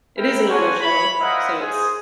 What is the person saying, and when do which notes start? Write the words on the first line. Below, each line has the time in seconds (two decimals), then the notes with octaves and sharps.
It is an older show, so it's
0.18 E4 A#4 G5
0.49 C#4 D4 F#4 C5 C#5 G#5
0.80 C#5 B5
1.20 E4 A#4 C5 D#5 F5 F#5
1.61 G#4 C5